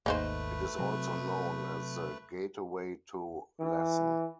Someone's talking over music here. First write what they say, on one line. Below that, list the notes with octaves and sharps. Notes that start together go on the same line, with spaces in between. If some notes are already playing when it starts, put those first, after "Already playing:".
It is also known as "The Gateway to Lassen".
G#1 D#2 A3 A#3 D#4 B4 C5
C3 F#3
E3